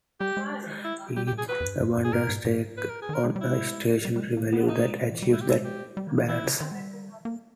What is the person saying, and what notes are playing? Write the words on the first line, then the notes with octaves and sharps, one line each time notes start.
Each abundance takes on a stationary value that achieves that balance.
G3 G4
G#3
E4
G3 G4
G4
A#2
G#4
B4
E2
G2
G2
G2
G#4
G#2 A#4
G#2
G#2
B4
A#4
G#4
D#3
A#4
G#3
G3
G#3 E4
G3
G3
G#3
A#3
B3
A#3 D#4
A#3
G#3
E3
G3
G#3 E4
G4
G#3 E4
G4
G3
D#3
E3
E3 E4
C#3
D#3
G#3
G3
A#3